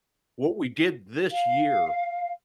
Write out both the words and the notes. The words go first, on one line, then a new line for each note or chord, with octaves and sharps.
what we did this year
F5